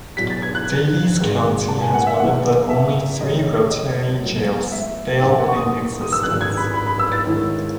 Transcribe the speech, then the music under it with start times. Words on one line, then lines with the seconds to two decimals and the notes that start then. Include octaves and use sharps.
Daviess County has one of only three Rotary Jails still in existence.
0.17 E2 B2 F#3 B6
0.30 A6
0.42 G#6
0.55 F#6
1.19 G#1 G#2 D#3 G#3
1.68 A5
1.81 G#5
1.94 F#5
2.07 E5
2.19 F#1 E2 D#3 F#5
2.70 E5
3.20 D#2 C#3 G#3 C#4 D#5
3.70 D#5
4.21 A2 F#3 B3
4.72 E5
5.22 E1 D#2 D#3 F#5
5.39 F#5
5.48 C#6
5.56 D#6
6.01 D#6
6.12 E6
6.23 G#1 F#2 D#3 G#3 F#6
6.41 G#6
6.57 B5
6.74 B5
6.86 B5
6.99 E6
7.12 A6
7.25 G#2 D#3 G#3 C#4 E4